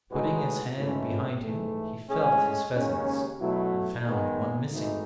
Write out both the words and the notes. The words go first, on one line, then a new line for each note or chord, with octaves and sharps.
Putting his hand behind him he felt his pheasants, and found one missing.
A2 G#3 D#4 F#4 B4
G#1 G#2 E3 A3 C#4
G#2 E3 A3
A2 G#3 C#4 G#4
D#2 C#3 G#3 C#4
B2 F#3 A3 E4
D#3 G#3 B3
G#1 G#2 E3 A3 D#4